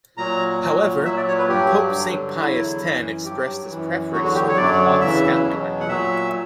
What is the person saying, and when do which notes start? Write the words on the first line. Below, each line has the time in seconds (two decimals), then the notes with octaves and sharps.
However, Pope Saint Pius X expressed his preference for the cloth scapular.
0.17 A#2 F#3 A#5
0.61 A#2 F#3
1.05 A#2 F#3 E5
1.17 D5
1.28 C#5
1.38 B4
1.49 G2 F#3 G4
1.93 G2 D3 F#3
2.37 E2 D3 F#3 E4
2.82 F#2 E3
3.25 G2 F#3 G4
3.69 F#2 E3
4.13 E2 D3 F#3 F#4
4.24 F#4
4.35 G4
4.49 C#5
4.57 F#2 D3 F#3 D5
5.01 E2 C#3 E3 E5
5.44 E2 B2 F#3
5.80 F#5
5.88 A#2 F#3 E5